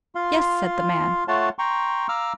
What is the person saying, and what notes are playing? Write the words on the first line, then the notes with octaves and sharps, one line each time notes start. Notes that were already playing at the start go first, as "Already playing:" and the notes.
"Yes," said the man.
F4 F5 C6
A3 F4 C#5 F#5 A5 C6
G5 A#5 C6 C#6
F5 A#5 D6 E6 F6